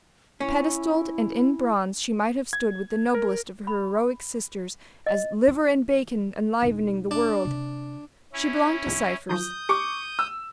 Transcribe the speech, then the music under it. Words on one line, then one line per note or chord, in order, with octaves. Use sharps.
Pedestalled and in bronze she might have stood with the noblest of her heroic sisters as "Liver-and-Bacon Enlivening the World." She belonged to Cypher's.
C#4 E4
G#6
A#4
B5
D#5
E3
E1 D#4
D4
C3
C#4 E4
C2 F2 G#2
D#3 F3 F#3 D#6 G6
G4 C#6 D6 C#7
E6